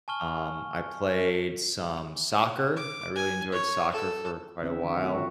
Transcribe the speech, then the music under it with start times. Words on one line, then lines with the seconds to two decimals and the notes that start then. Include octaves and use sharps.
Um, I played some soccer. I really enjoyed soccer for quite a while,
0.08 G#5 A5 C#6 F6 G7
2.76 D6
3.16 G#5
3.52 C#5
3.92 A4
4.62 D3 C4 E5
4.80 D#3 D4 D#4
5.01 A3 C4 F#4
5.14 E3 F4